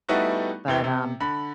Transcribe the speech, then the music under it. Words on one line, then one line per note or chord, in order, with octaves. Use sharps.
but, um
G3 A3 B3 D#4 E4 F#4
E1 E3 G7
C3
D3 B5